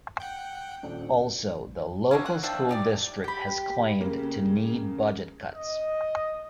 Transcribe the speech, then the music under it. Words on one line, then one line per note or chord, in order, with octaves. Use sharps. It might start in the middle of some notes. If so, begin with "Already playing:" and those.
Also, the local school district has claimed to need budget cuts.
F#5 G5
D#1 D4
D3 F#3 A#3 C#4
F#5
F3 D4 E5 G5
D#4 G4 D5
G4 B5
C#3 A#3
D#5